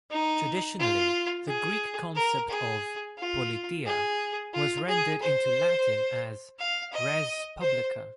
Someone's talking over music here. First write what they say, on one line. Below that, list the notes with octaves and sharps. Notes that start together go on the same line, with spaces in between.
Traditionally, the Greek concept of "politeia" was rendered into Latin as res publica.
D#4
F4
G#4
A#4
G#4
F4
G#4
F4
G#4
C5
F5
D#5
C5